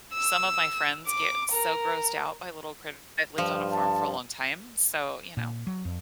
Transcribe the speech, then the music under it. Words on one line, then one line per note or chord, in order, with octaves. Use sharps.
some of my friends get so grossed out by little critt I've lived on a farm for a long time, so you know?
E6
D6
A#4
G2 F3
A5
A#2
F#3
F2